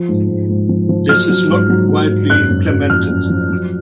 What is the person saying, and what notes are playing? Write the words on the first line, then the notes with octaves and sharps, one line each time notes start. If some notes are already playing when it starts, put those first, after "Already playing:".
This is not widely implemented.
Already playing: F3
G#2
G#2
G#2
F3
F3
F#3 F6
F#3
G#2
F#3
F#3
G#2
F#2 F#6
F#2
F#2
F3 F6
F#2
F3
F#3